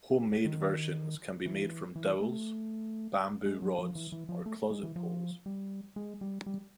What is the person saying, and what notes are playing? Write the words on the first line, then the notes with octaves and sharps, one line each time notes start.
Homemade versions can be made from dowels, bamboo rods, or closet poles.
D#3
E3
E3
A3
G#3
F#3
F3
E3
E3
F3
A3
G#3
E3
F3
G3
G#3
G3
G3